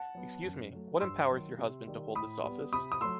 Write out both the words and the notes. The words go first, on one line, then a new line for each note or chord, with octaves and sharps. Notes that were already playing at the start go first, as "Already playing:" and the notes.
Excuse me, what empowers your husband to hold this office?
Already playing: F#5 A5
F#3 B3
F#2
F#3 A3
G2 C6 E6
D#3 F#3
C3
D#3 G3
A2 B5 D#6
G3 B3
C3 B5 D#6
D#6
F#3 A3 C6 E6